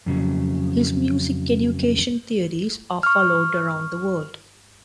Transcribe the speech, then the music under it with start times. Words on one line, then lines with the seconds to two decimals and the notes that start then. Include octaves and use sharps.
His music education theories are followed around the world.
0.06 F2 C#3 F#3
3.03 C#6 F6